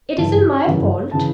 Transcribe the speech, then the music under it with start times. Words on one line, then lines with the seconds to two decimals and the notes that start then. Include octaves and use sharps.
It isn't my fault.
0.17 G1 F#2 C#3 E3 A5
0.65 G1 F#2 C#3 E3
1.11 C#3 E3 A5